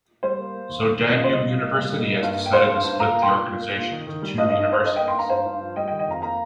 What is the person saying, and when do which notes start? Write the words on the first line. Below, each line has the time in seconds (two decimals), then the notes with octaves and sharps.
So Danube University has decided to split the organisation into two universities.
0.23 G3 C5
0.38 A#3
0.54 A#3
0.69 D#2
0.85 D#2
1.00 D#3
1.15 A#2 D#5
1.24 C5
1.31 G3 D#5
1.46 A#2
1.61 A#3
1.77 G3
1.93 G3
2.08 A#3
2.23 G2
2.38 A#3
2.46 G5
2.53 A#3 C5 F5
2.68 G2
2.84 G2
3.00 A#2 F5 A#5
3.15 A#3
3.22 G5 C6
3.30 A#2
3.46 A#2
3.62 A#3
3.77 A#2
3.91 D#3
4.07 D#3
4.22 G3
4.38 G2 D#5
4.50 D#5
4.53 G2
4.61 D#5
4.69 G2 C5
4.84 G2 D#5
4.96 A#3 D#5 G5
5.08 G5 C6
5.14 G2 F5 A#5
5.30 G2 C5 F5
5.46 G2
5.61 F3
5.76 G3 D#5 G5
5.88 D#5 G5
5.92 D#3
5.99 D#5 G5
6.08 F2 F5 A#5
6.22 A#3 F5 A#5